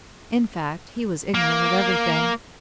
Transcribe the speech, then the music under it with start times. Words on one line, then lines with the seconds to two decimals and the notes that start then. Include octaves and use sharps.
In fact, he was ignorant of everything.
1.34 A#3